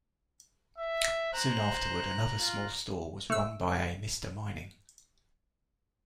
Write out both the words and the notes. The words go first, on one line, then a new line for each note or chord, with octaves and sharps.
Soon afterward another small store was run by a Mr. Mining.
E5
C5 A#5 F#6
F4
A3 E6